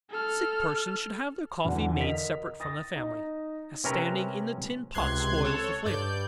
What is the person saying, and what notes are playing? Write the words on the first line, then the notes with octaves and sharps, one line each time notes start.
Sick persons should have their coffee made separate from the family, as standing in the tin pot spoils the flavor.
A4 F6
E2 B2 D3
A#4 D#5 B6 F7
D#6 A6 A#6
D#4
C3 C#4 A#4 B4 A#5
C#2 C3 C6 F#6 G#6
A4 C#5
G2 D5 G6